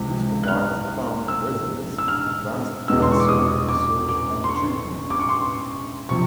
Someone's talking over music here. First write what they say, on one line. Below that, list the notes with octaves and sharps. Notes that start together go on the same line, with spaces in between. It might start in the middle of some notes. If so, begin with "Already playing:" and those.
This provides Thumb residents advanced cancer research and treatment.
Already playing: C#2 C3 E3
F#6
F6
E6
E6
F6
E2 B2 G#3 B3 E6
C6
C#6
D6
D#6
D6
D6
C6
C#6
D6
C#6
C6
C3 F3 C#6